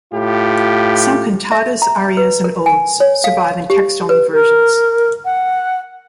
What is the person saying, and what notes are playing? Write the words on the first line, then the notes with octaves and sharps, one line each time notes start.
Some cantatas, arias, and odes survive in text-only versions.
A2 F4 G4
E5
A#5
B4
A#4
G#5
C#5
F5
G4
B4
A#4
F#5